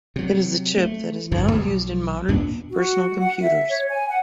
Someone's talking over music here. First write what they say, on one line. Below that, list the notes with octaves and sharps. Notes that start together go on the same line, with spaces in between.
It is the chip that is now used in modern personal computers.
C3 F#3
A3
D1 G1 G2 F3
B1
D#2 A#2 B3 D4
F#4
F#5
E5
C#5
G#5
F#5